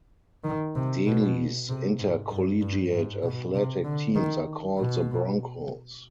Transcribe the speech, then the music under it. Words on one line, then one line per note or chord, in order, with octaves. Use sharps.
Delhi's intercollegiate athletic teams are called the Broncos.
D#3
C3
B2
C3
G#2
G2
G2
G#2
B2
C3
D3
D#3
B2